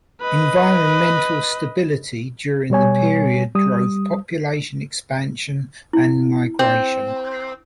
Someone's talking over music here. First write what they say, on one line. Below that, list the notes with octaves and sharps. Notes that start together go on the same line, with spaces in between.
Environmental stability during the period drove population expansion and migration.
B4 D#5
B2 G3 C#5 G#5
G3 D#6
E4
C4